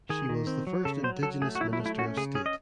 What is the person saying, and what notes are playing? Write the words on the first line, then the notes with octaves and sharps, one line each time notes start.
She was the first indigenous Minister of State.
D#3 G#4
D#3
C4
F#3
C#3 A4
F#3 C5
F#3 A4
A3 G#4
F#4
F#3 E4
E4
A3
E4
C#4 F#4
C#3 G#4
C#4 G#4
D#5